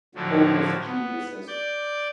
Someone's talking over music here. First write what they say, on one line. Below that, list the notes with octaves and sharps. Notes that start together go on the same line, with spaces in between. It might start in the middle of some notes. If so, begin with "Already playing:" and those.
full mischievousness.
A2 D3 F3 F#3
B3
D5 G6